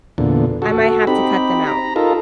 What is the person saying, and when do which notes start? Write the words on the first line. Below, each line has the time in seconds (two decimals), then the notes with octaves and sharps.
I might have to cut them out
0.18 E2 A#2 D3
0.62 F#4 A4
1.07 C4 D#4 G4 B5
1.67 A#5
1.96 D#4 F4 A4 A#4